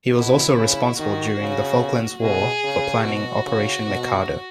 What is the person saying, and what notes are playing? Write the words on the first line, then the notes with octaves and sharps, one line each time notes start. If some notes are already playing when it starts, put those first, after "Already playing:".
He was also responsible during the Falklands War for planning Operation Mikado.
B2 E4
C#3
D#3 F#4
C#3
B2 G#4
C#3
B2 F#4
C#3
B2